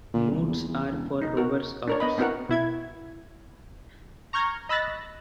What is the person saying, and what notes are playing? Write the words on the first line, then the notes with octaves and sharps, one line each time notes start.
Moots are for Rover Scouts.
A#2
C2
E2
E2
E1
D#4
F#4 A#4
D4 A#4 C#5
B3 D#5 B5
B3 C4 E4 F#4 A#4 F#5
B2 E4 G#6
A#5 C#6 F6 G6 G#6 A#6
D#5 B5 E6 F#6 A6 A#6